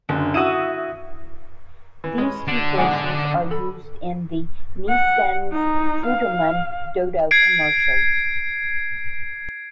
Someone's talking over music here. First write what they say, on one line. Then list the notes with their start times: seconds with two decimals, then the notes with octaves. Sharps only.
These two versions are used in the Nissin's Futomen Dodo commercials.
0.09 F#1 D3
0.34 E4 F#4 E5 D#6 D#7
2.04 E3
2.18 G#3 C#4 B5
2.48 D3 D4 F#4
2.78 B1 G#2 G#4 D5 F#5 G#5
3.50 A4 B5
4.89 F#5
5.52 D#4
6.05 F5
7.31 G#6 C7 D7